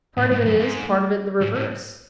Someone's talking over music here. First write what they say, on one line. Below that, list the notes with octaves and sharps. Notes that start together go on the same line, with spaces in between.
"Part of it is, part of it the reverse."
A2
G#2
F#2
G#2
G#2
A2